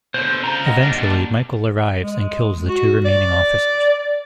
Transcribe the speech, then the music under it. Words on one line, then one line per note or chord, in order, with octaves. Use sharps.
Eventually, Michael arrives and kills the two remaining officers.
B2 D3 C5
C#3 F4 A#5
D#5 F#5
A#2 G3 D4
G#3
F#4
D5